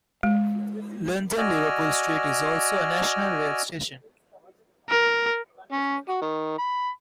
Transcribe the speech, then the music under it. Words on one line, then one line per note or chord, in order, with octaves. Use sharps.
London Liverpool Street is also a National Rail station.
G#3
F#4 D5 D#5 G#5 E6 F6
A#4
C#4
F#4
D#3
B5